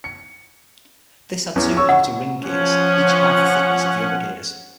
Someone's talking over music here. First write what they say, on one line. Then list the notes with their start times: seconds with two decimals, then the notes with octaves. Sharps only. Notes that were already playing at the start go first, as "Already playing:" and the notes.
This had two outer ring gears, each half the thickness of the other gears.
0.04 C#7
1.56 E2 E3 C#4
1.77 C#5 C#6 E6
1.89 F#5
2.44 F3 C#4 F#5